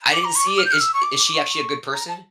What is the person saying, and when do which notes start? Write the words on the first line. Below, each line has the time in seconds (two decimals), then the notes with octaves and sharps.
I didn't see it. Is is she actually a good person?
0.13 D6
0.24 A#5
0.36 C#6
0.47 D6
0.58 F6
0.65 G6
0.72 F6
0.80 E6
0.94 C#6
1.03 D6
1.18 D6
1.33 C#6
1.93 A#5
2.08 A5